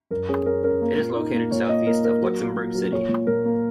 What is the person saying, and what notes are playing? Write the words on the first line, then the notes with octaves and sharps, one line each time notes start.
It is located south-east of Luxembourg City.
F#2 A#4
C#4 G#4
C#4 A#4
C#4 A#4
A#3
A#2
D#4
A#3
A#2 C#5
A#3 D#5
A#3 A#4
A#3 A#4
F#3
A#3
A#2
F#3
A#2 C#5
A#2
A#2 A#4
A#3